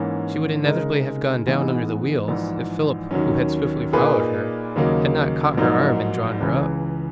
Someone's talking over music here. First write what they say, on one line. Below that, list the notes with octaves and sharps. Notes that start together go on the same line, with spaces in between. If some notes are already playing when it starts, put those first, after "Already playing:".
She would inevitably have gone down under the wheels, if Philip, who had swiftly followed her, had not caught her arm and drawn her up.
Already playing: G#2 E3 A#3 C#4
C#3 G#3 D#4 A#4 D#5
G#2 E3 G#3 B3 D#4
A#1 G#2 E3
D#2 D#3 F#3 C#4
A#2 A#3 D#4 G#4 B4
D#2 C#3 F#3 A#3 D#4
A#1 G#2 F#3 A#3 D#4
C#2 C#3 E3